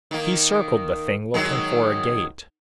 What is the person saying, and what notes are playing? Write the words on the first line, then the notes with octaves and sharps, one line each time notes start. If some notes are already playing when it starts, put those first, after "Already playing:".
He circled the thing, looking for a gate.
D#3 A#3
D#3 F#3 G#3